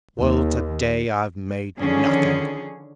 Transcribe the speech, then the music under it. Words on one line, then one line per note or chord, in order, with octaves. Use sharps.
Well, to-day I've made nothing.
D#2
D3 D#3 F3 C#4 G#4